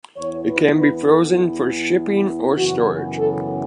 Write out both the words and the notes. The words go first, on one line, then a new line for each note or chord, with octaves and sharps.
It can be frozen for shipping or storage.
E2 E3 B3 C#5
B4
B4
A4
E4
F#2 C#3 E3 B3 F#4
A4